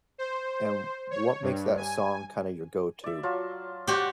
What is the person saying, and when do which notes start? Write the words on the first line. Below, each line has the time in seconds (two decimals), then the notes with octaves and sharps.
and what makes that song kinda your go-to?
0.18 C5
1.11 C#5
1.42 G2
1.77 G#5
3.04 D5 E5
3.23 F#3 F4 A5
3.87 F#4 G4 C5 D5 F#5